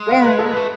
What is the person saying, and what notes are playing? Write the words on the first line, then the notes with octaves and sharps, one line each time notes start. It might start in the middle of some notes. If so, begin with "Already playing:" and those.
Yeah, yeah.
Already playing: G#3
F5
B4
A4
B4
A3